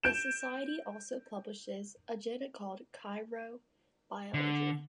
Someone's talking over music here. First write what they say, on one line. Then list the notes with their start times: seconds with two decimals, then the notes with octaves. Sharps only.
The Society also publishes a journal called "Cryobiology".
0.03 G6 D7 E7
4.34 D3